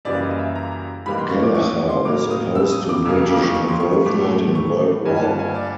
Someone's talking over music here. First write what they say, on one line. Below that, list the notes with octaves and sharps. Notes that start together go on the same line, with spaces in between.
Gallacher was opposed to British involvement in World War One.
F#2 C#3 E3 G3 A#3 D5
D#5
E5
A#5
G#2 E3 G3 A#3 B5
C6
C#6
D6
C#6
C6
A2 F#3 A#3 D6
D#6
E6
D#6
D6
F2 C#3 F#3 A#3 E6
D6
C#6
C#6
C6
C#6
C#6
A2 F#3 A3 D6
C#6
G2 D3 F3 A#3 G#5
G#5
A5
G#5
D5